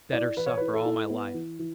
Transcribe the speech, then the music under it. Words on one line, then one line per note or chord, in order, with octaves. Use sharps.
"Better suffer all my life."
E4 D5
E3 B4
C#5
E4 B4
A4
E4
B3
E3
E3